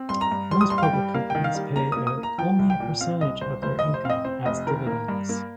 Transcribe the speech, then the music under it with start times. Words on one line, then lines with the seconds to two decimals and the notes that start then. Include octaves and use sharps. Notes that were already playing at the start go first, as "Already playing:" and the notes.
Most public companies pay out only a percentage of their income as dividends.
Already playing: C4
0.09 G2 C6
0.21 A#5
0.31 G2
0.51 G3 C6
0.61 D#6
0.70 G2 C6
0.78 F5
0.83 G5
0.93 G3
1.14 A#3 F5
1.30 D#3 G5
1.44 F5
1.55 G3
1.76 A#3 A#5
1.92 A#3 D#6
2.07 D#6
2.17 A#3
2.23 A#5
2.38 F3 G5
2.59 C2
2.70 G5
2.80 A#2
3.00 C4 F5
3.21 C2 D#5
3.41 C2 C5
3.62 F1 C5
3.79 D#5
3.84 F1
3.94 C5
4.04 C4 F5
4.10 D#5
4.25 C4 C5
4.46 F1 D#5
4.67 D#3 A#4
4.87 A#3
5.08 G2
5.29 A#3